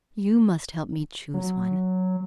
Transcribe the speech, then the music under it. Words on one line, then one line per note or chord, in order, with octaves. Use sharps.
You must help me choose one.
F#3